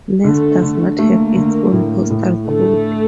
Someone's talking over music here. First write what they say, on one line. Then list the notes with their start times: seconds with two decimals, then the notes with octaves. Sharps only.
Nes does not have its own postal code.
0.24 D3 A3
0.62 D3
0.99 A3 A#3
1.36 D3
1.73 A2
2.10 A2
2.47 D3 A3